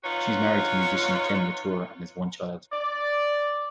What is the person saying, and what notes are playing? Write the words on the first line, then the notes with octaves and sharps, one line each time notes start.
She's married to musician Ken LaTour and has one child.
D#4 F4 F#4 B4 C#5
D5